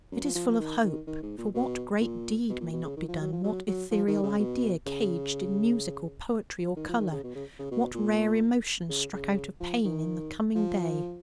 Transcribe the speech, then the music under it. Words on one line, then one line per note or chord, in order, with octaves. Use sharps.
It is full of hope; for what great deed may not be done, what ethereal idea caged in music or poetry or colour, what rare emotion struck out of pain in the coming day?
F#2
F3
F3
F3
D#3
D#3
D#3
G#2
A#2
B2
A#2
B2
A#2
B2
C#3
D#3
F3
F#3
F3
F#3
F#3
F3
D#3
C#3
B2
C#3
D#3
F3
D#3
C#3
B2
C#3
C#3
B2
A#2
C#3
C#3
F3
D#3
F3